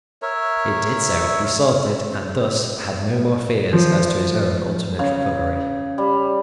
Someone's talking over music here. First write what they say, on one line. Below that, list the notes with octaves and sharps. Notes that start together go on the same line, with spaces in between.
It did so, he solved it and thus had no more fears as to his own ultimate recovery.
A#4 C#5 E5
F3
C#3
G3